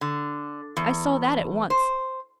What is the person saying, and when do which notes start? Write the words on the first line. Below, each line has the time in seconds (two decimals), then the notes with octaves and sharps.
I saw that at once.
0.01 D3
0.77 E2
1.70 C5